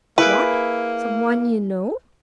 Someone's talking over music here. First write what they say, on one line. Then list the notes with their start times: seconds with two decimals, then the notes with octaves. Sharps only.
"What! someone you know?"
0.18 A#3 E4 G#4 B4 D6